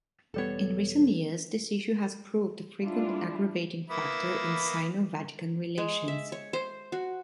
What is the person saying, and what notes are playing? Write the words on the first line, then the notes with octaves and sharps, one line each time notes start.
In recent years, this issue has proved a frequent aggravating factor in Sino-Vatican relations.
E1 G3 B3 A4 C#5
G3 G#3 D4 E4 F4
A#3 B3 E4
G#3
E5
C#5
C5
F#4